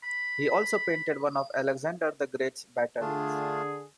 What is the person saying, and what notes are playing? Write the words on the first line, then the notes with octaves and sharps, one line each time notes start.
He also painted one of Alexander the Great's battles.
B5
D3 A3 D4 F4 G#4